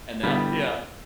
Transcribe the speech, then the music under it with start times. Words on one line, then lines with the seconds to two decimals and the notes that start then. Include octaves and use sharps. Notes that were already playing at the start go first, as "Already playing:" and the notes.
and that yeah.
0.23 D3 G3 B3 E4 G4